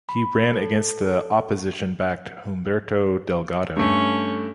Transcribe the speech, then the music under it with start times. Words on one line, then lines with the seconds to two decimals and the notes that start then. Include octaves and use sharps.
He ran against the opposition-backed Humberto Delgado.
0.09 B5
0.54 A4
3.77 G2 A3 C#4 C#6